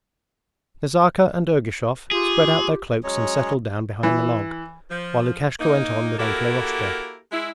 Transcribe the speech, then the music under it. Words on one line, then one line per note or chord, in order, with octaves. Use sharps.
Nazarka and Ergushov spread out their cloaks and settled down behind the log, while Lukashka went on with Uncle Eroshka.
F4 G4 G#4
F#3 G#3 C#4 C#5
E3
F3
A#3 D#4
A#3 E4 F#4 G4 A4 A#4
G#3 E4